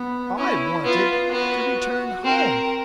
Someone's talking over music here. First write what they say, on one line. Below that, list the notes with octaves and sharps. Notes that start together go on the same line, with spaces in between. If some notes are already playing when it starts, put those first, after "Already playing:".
I wanted to return home.
Already playing: B3
C#4 E4
B3 F4
B3 F#4
F#4
C4 A#4